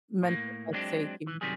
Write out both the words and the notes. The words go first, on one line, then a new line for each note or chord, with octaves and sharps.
mental health sake here.
A2 A#3
F#3 G#3 C4 D4 G4
E3
F#2 C3 D#3 F#3 G3 G#4